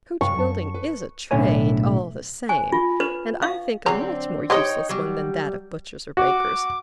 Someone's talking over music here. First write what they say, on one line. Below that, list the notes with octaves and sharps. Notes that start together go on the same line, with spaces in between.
Coach-building is a trade all the same, and I think a much more useless one than that of butchers or bakers.
G2 C3 F5 C#6
F#2 A5
B4
B1 A2 D3 E4 C#5 G#5
G#5
F4
B4
F5
D3 F#3 C4 G#4 A#5
D#4 G4 C5 C#5 D#5 G5
F#3 G3
F#4 D6